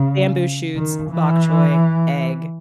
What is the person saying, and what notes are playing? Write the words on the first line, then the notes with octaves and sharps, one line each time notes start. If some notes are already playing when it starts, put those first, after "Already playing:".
Bamboo shoots, bok choy, egg
Already playing: C#3
D#3
E3